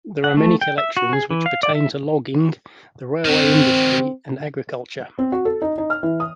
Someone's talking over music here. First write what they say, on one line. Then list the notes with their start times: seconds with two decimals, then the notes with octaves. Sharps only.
There are many collections which pertain to logging, the railway industry and agriculture.
0.24 F#5
0.37 A3
0.61 G5
0.78 E5
0.97 F#4
1.13 G#4
1.31 E3
1.46 F5
1.63 D5
1.75 E5
3.25 D#3 C4 F#4
5.19 C4
5.32 F#4
5.45 A4
5.62 D#4
5.78 D#4
5.90 F6
6.03 E3
6.20 D#6